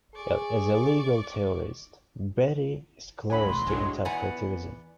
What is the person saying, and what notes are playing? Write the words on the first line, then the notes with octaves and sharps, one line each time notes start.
As a legal theorist, Betti is close to interpretivism.
G#4 D5 C#6
D2 F#3 G#5 B5
B1 E2 C6
A2 F#3 G#3 D4
E2 B3 D5 F#5 G#5 A#5